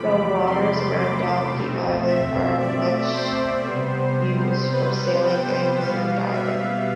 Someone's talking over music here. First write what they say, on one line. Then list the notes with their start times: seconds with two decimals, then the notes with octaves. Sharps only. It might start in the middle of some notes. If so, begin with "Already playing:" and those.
The waters around Dalkey Island are much used for sailing, angling and diving.
Already playing: E2 C3 F3 A3 B5 D6
0.46 C6
1.00 D6
1.52 B2 A3 C4
2.07 E5
2.59 D5
3.13 C5
3.66 C3 G3 B3
4.72 B4
5.26 G5
5.78 B2 G3 B3 F5
6.32 E5